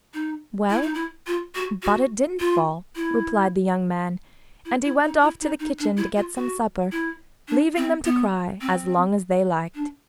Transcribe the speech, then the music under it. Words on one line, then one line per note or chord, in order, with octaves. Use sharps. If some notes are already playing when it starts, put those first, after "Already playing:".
'Well, but it didn't fall,' replied the young man, and he went off to the kitchen to get some supper, leaving them to cry as long as they liked.
D#4
E4
D#4
E4
F4
F#4
F#4
F4
E4
E4
E4
D#4
E4
D#4
D#4
D4
E4
F4
F#4
E4
D4
C4
B3
C4
D4